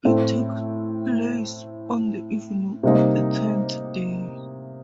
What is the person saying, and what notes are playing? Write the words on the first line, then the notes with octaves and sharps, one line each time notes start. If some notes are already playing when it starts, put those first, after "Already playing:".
It takes place on the evening of the tenth day.
A2 A3 C4
C3 G3 A#3 D#4